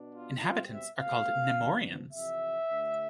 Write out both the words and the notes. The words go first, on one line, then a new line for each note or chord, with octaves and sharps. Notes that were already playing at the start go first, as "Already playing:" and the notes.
Inhabitants are called "Nemouriens".
Already playing: B2 B3 D4
F4
B2 G3 C4 F4
E5
B2 A3 C4 F5
E2 D3 F3 B3 D4
F2 C3 E3 E5
D2 D3 A3